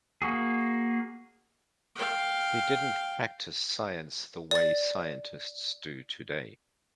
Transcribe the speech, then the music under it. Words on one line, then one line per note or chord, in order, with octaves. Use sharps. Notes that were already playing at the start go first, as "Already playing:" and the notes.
He didn't practice science the way scientists do today.
A#3 F#4 G#4
F5 G5
D5 A6